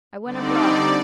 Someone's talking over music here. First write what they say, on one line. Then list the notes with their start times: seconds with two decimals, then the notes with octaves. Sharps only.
I went abroad.
0.25 D3 G3 C4 D#4 D5